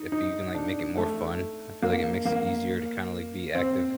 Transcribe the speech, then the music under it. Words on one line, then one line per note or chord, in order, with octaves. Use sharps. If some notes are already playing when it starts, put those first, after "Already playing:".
if you can, like, make it more fun, I feel like it makes it easier to kinda, like, be active
Already playing: D#4
D#4
D4
A3
A#3
A#3
C4